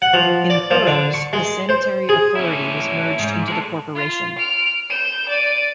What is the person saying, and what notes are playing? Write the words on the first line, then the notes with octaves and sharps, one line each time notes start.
In boroughs, the sanitary authority was merged into the corporation.
F#5
F3
D5
F3
D3
C#6
G#3
C5
G#4
C#4 E4
G#2
G#3 A4
F4
F6 D7
G6 E7
D5 D#7